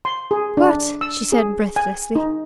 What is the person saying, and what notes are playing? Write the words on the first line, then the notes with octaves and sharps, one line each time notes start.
"What?" she said breathlessly.
C6
G#4
D4
E6
G#4
G#5
D#4